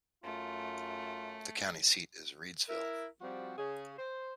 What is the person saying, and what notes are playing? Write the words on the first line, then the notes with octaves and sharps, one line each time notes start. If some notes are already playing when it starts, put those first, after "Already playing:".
The county seat is Reidsville.
F#2 A3 F4
E4 A#4
F3 G3 C4 F#4
C#3 G#4
C5